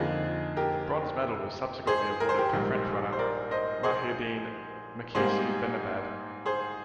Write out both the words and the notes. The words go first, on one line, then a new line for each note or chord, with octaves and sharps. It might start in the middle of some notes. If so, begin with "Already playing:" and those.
The bronze medal was subsequently awarded to French runner Mahiedine Mekhissi-Benabbad.
Already playing: F2 D3 F3 A#3 D#4 G#4
G4 A#4
G#4 C5
A#4
C5
G4 A#4
A#1 G#2 G3
C5
A#4 D5
C5 D#5
G#4 C5
G#2 G3 A#3 G#4 C5
G#4 C5